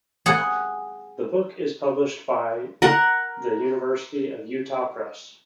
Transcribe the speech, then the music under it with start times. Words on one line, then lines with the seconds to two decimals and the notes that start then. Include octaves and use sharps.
The book is published by the University of Utah Press.
0.26 G#4 F#5
2.82 A#4 F#5